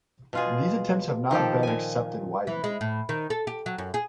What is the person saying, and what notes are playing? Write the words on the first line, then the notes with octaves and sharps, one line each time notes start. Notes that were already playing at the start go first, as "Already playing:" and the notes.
These attempts have not been accepted widely.
B2 F4 G#4
D#3 F3 G4 A4
A#2 G#5
E3
G#3
A2
D#3
A4
G4
F#3
F#2
G#4